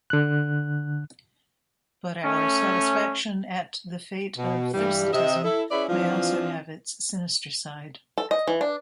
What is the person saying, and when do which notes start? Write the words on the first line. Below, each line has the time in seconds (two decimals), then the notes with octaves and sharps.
But our satisfaction at the fate of Thersitism may also have its sinister side.
0.10 D3 F#6
2.25 A3 C#4
4.38 B2
4.74 G2 E3 G3
5.13 C3 D#5 E5
5.44 E4 A4
5.71 C#4 E4 G#4 B4 C#5 D5
5.89 E3 F3 C4 D4 F4
8.18 A4
8.31 D#5
8.48 E3
8.61 D4